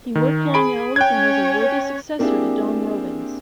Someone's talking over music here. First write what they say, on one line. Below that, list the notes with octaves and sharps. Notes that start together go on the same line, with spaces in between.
He worked long hours and was a worthy successor to Don Robins.
D#3
G#4 B5 D7
C#4 C#5 G5 F#6 G#6
A#3 C4 D4 E4 G4 G#4